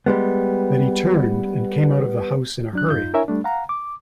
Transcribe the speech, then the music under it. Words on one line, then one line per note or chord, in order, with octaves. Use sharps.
Then he turned and came out of the house in a hurry.
G3 G#3 B3
F#3 D4 F#6
F#2 D#4 F4 G6
D4 E4 A#4 C#5 E5 G#5
G3 A3 D4
F5 F#5 A#5
D6